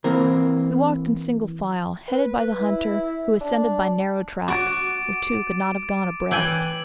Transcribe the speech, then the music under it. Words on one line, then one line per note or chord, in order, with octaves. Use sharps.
We walked in single file, headed by the hunter, who ascended by narrow tracks, where two could not have gone abreast.
E3 A#3 C4 A#4
B4
E4
D4
F#4 D6 A6 D7
E3 G5 G#5 E6 F#7